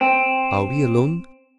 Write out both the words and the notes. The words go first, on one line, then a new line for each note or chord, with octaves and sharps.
"Are we alone?"
C4